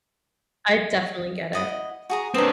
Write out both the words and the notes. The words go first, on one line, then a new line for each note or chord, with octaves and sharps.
I definitely get it.
E4 D#5 F#5
F#4 G#4 A#5
C4 D4 A#4 B4 C6 D#6 E7